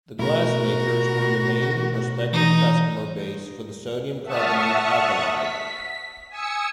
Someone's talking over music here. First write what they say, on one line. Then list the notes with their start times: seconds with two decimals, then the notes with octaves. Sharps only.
The glassmakers were the main prospective customer base for the sodium carbonate alkali.
0.19 B2 A3 E4 F#4 A#4
2.33 E3 D#4
4.23 E5 F#5 A5 C#6 D#6 F6
5.31 B6
6.28 G#5 D#6 E6 C#7